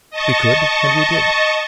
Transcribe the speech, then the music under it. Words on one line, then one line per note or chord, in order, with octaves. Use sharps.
We could, and we did.
D#5 A5 C#6